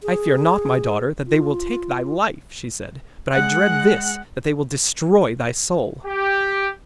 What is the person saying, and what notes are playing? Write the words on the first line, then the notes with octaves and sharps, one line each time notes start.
'I fear not, my daughter, that they will take thy life,' she said, 'but I dread this--that they will destroy thy soul!'
G#4
F4
G#3 F#5 F#6
G4